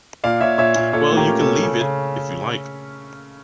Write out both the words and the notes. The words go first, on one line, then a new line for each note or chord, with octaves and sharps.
Well, you can leave it, if you like.
A#2 D5 F5
A#2 C#5 E5
A#2 C#5 E5
A#2
A#2 A4 C#5
A3
G4 A#4
C#4
A4
C#4
C#3
C#3